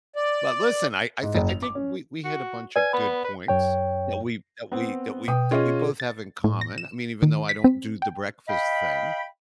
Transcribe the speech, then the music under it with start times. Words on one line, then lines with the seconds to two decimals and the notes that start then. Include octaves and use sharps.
But listen, I I thi I think we we hit a bunch of good points that we that we that we, that we both have in common. I mean, even though I don't do the breakfast thing,
0.16 D5
1.23 G#2
1.35 F#1
1.49 F7
1.63 D6
1.75 C#4
2.24 F#4
2.76 B4 D5 G#5
2.93 B3 B5
3.24 B4
3.48 F#2 C#5 G5
4.72 B3 C4
5.28 B2 G5 D#6
5.51 C#4 F4 G#4 D#5
6.00 A6
6.44 A2
6.61 A#6
6.78 E7
7.22 D#3
7.49 B6
7.64 C4
8.02 G5
8.48 D#5 F5 G5 B5